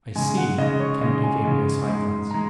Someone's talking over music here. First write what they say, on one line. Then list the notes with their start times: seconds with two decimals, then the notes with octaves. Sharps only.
"I see!" Kennedy gave me a side glance.
0.16 C#3 G#3 G#5
0.37 F#5
0.58 C#3 G#3 D#5
0.80 C#5
1.01 C#3 G#3 D#5
1.23 G#5
1.45 C#3 G#3
1.88 G#2 G#3
2.31 G#3 A#5